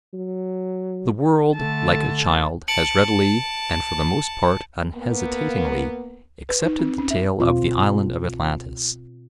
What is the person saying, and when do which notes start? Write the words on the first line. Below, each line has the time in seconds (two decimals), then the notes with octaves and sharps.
The world, like a child, has readily, and for the most part unhesitatingly, accepted the tale of the Island of Atlantis.
0.13 F#3
1.55 D3 A3 A5
2.68 A5 C#7 D7 F#7
4.94 A#3 B3
6.49 B4
6.62 D#4
6.79 C4
6.98 C#4
7.10 E5
7.40 B2 C4 F4